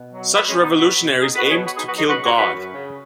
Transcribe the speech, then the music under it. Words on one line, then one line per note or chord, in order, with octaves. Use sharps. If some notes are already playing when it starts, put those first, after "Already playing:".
Such revolutionaries aimed to kill God.
Already playing: B2
F#3
F#3 F#4 B4
G#3 C#4
B2
B3 D#4
F#3 F#4 B4
B2
B2 D#4 G#4
F#4 B4
B2
G#4 C#5
B2 F#4 B4
D#4 G#4
F#3 F#4 B4
D#4 G#4
C#3 F#4 B4
C#4 F#4
F#2
F#4 B4
F#2
C#3